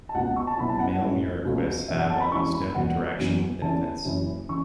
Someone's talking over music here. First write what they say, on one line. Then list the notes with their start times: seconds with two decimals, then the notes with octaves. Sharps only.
Male muriquis have almost no interaction with infants.
0.09 A5
0.14 C#2 B2 B3 F#5
0.36 C#6
0.47 A5
0.58 B1 B2 B3 E4 B5
0.69 A5
0.80 F#5
1.01 B1 A2 A3 C#4 E4
1.45 C#2 B2 A3
1.88 F#1 E2 B2 E5
1.99 F#5
2.10 A5
2.20 B5
2.32 E1 E2 E3 C#4 E4 C#6
2.54 B5
2.75 E1 E2 B2 B3 F#5
3.18 F#1 F#2 E3 B3
3.61 E2 E3 C#4 E4 A5
4.05 F#1 F#2 E3 C#4 E4
4.49 C#3 E3 C#6